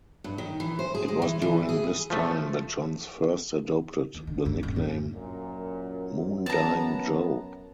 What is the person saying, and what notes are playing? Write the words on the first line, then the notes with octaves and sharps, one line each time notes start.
It was during this time that Johns first adopted the nickname "Moondyne Joe".
G2
D#3
E3
C5
G#4
G#3
E3
E3
G#4
F3 A3
D#2
D3
G2
D#1
G2
F#2 A#2
B3 A5 A#5